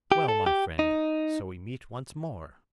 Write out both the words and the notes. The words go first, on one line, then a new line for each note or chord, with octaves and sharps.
'Well, my friend, so we meet once more!
G4
A4
G4
D#4